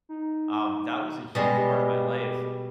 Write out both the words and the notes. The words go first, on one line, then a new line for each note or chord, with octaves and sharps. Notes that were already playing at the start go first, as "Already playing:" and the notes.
um, that was a huge part of my life,
D#4
B2 G3 G#3
G4